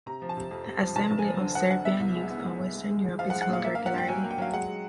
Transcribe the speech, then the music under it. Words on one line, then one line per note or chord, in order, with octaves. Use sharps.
The Assembly of Serbian Youth of Western Europe is held regularly.
C3 A#5
F3
A5
C3
F2
C3
F3
F1 A5
F1
G#5
F3
D3
F3 F#5
D3 F#5
B3 E5
C2
G#3
B3
G#3
C2
G#3
G#3
C2
F3 F5
F#5
G#3
F#5
A#2 F5
A#3 E5
A#3 F5
F#5
G2 G5
F#3 G#5
A#3
G5
F#3 F5
G#3 F#5
G#3